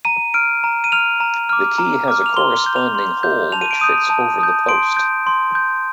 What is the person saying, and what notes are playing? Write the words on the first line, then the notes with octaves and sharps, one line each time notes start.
The key has a corresponding hole which fits over the post.
A#5 D#7
F6 D7
A#5
D#7
F6 F7
A#5
D6 F6
A#5
D6 F6
F7
C6 G7
G6
F7
C6
G6
A5 F7
D#7
D7
D#6 G6 D#7
A5
D#6 G6
C6 D7
G6
C6
G6